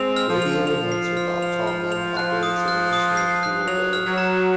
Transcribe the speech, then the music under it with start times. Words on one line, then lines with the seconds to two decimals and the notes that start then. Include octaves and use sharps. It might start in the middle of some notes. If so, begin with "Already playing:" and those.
Rodeo announcer Bob Tallman operates a ranch near Poolville.
Already playing: G#3 C4 F7
0.16 F6
0.29 F3
0.42 F7
0.67 F3 F7
0.92 C7
1.17 F6
1.42 F7
1.67 F6
1.92 F7
2.17 F3 F#6
2.43 D#6
2.68 F#6
2.93 D#6
3.17 C7
3.43 F#6
3.67 F#3 F7
3.93 F6
4.06 F#3
4.18 A#5